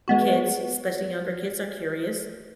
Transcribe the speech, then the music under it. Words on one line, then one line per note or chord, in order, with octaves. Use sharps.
kids, especially younger kids, are curious.
G#3 B3 F#4